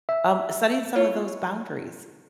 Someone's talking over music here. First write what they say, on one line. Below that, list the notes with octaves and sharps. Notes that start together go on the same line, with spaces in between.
Um, setting some of those boundaries
E5
E4 F4 C#5